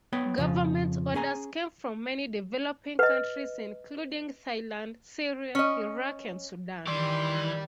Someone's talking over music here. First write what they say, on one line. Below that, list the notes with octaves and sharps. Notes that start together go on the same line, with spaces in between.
Government orders came from many developing countries including Thailand, Syria, Iraq and Sudan.
B3 B4 C#5 G5
F2 C#3 E3 F3
C#4 G#4 G#5 A#5
B4 D#5
C#4 D#5
D#3 E3 G4 D5 C6